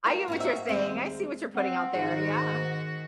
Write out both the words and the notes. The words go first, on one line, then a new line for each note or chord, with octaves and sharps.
I get what you're saying, I see what you're putting out there, yeah.
F4 A#4
A#3 C4 F#4
E5
D#2 G3 G#3 C4
C4 F#5
G#2 D#3 F#4